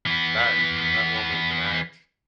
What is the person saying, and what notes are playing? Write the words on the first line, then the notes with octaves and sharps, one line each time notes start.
that that woman can act
E3 B3